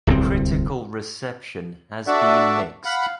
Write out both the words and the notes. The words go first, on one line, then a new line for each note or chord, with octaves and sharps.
Critical reception has been mixed.
D1 C2 G2 C4
D4 F#4 A4 D5 E5 F#5
F5 F#5 B5